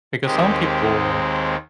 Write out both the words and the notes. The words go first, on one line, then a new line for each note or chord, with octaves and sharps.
because some people,
D#2 D#3 G#3 C4 G4